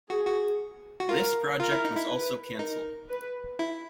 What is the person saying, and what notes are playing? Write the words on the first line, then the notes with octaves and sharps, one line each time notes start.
This project was also cancelled.
F#4 G#4
F#4
F#4
F4 A#4
F4 A#4
E4
D#4
E4
B4
D#4 A#4
B4
E4